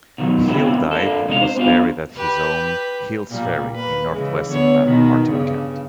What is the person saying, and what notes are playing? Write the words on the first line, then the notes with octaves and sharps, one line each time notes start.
Hill died and was buried at his home, "Hill's Ferry", in northwestern Martin County.
B2 D#3 F3 F#3
G2 B2 D3 A#3 C4 E4
A#3 D4 A4
C3 G#3 D#4 E4 F5
C5
B3 D4 F4 C5 F5
G4 B4
A#2 G3 A#3
A#3 B4
C#3 E3 G#3
D3 B3 C#5
B2 D#3 B3
G2 C#3